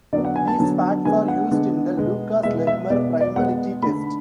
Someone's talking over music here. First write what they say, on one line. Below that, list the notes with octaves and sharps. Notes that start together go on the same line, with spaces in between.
These facts are used in the Lucas-Lehmer primality test.
D3 F#3 B3 D5
F#5
G#5
A5
D3 F#3 B3
D3 G#3 B3 G#5
F#5
D3 G#3 B3
B2 G#3 B3
B2 G#3 B3 E5
E5
B2 G#3 B3 D5
D5
B2 G#3 B3 F#5
D3 A3 B5